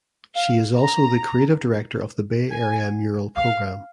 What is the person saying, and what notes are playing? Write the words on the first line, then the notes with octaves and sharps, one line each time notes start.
She is also the creative director of the Bay Area Mural Program.
F5
A#5
G#5
F5